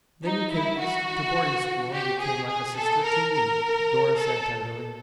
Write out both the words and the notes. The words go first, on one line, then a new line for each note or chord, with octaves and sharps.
"Then you came East to boarding-school and became like a sister to me," Dora said tenderly.
D#4
E4
F#4
G4
G#4
G#4
A4
A#4
A#4
A4